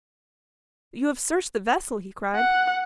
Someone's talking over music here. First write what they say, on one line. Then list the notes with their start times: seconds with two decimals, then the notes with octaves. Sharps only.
"But you have searched the vessel?" he cried.
2.35 F#5